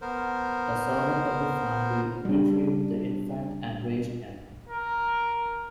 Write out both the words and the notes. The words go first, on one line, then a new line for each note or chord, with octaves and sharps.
A servant of the family retrieved the infant and raised him.
B3 A#4 C5
G3 D4
A#4